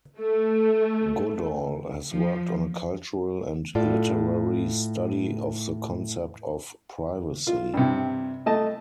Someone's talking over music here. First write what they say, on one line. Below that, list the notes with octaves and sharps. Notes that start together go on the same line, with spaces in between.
Goodall has worked on a cultural and literary study of the concept of privacy.
A3
F3
A2 F4 A4 D5
F4
G2 C3
A3 D#5 A5